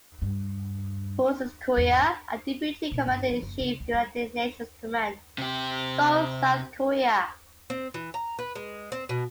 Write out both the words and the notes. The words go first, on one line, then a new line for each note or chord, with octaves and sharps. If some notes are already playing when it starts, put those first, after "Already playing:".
Forces Korea and deputy commander in chief, United Nations Command, Seoul, South Korea.
G2
G#1 E2
A#2
G1
F3
F#1
C#3
D2
G3
C3 G4
C4
E3
A#5
B4
G#3
C4
B2